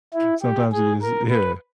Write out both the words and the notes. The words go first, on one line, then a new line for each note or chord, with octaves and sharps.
sometimes you just Yeah.
E4
G4
G#4
A#4
B4